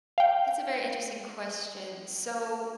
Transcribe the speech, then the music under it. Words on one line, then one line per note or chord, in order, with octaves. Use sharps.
that's a very interesting question, so
F5 G5